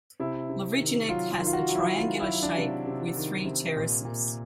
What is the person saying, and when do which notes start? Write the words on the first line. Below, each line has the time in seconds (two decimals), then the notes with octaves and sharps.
Lovrijenac has a triangular shape with three terraces.
0.20 C3 E4
0.50 C3
0.79 D#3
1.09 F#3 F4
1.31 F4
1.38 D#3
1.47 F4
1.53 F#4
1.68 F#3
1.75 E4
1.97 D#3 F4
2.20 E4
2.27 F#3
2.43 D4
2.58 C3
2.87 C3
3.16 D#3
3.45 C3
3.76 A#2
4.05 A#2